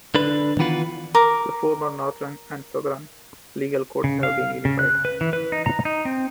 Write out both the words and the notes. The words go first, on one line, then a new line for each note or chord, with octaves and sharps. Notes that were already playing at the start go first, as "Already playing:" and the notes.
The former northern and southern legal codes have been unified.
D3 D4 B4
D#3 E3 B3 F4 B4
A#4 D6
C#3
F5
C#3
F#6
B4
E3
B4
D#4
A#5
D#4
C4